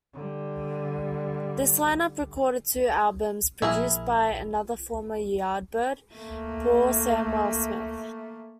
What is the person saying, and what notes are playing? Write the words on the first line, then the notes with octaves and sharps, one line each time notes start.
This line-up recorded two albums, produced by another former Yardbird, Paul Samwell-Smith.
D3 G3
A#1 E4 G#4 A#4
A3 A#3